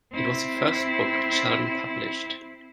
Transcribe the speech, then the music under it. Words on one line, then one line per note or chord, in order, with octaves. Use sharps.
This was the first book Sheldon published.
C4 E4